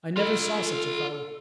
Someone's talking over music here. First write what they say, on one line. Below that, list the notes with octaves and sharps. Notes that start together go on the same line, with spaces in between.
I never saw such a fellow.
F4 A4 B5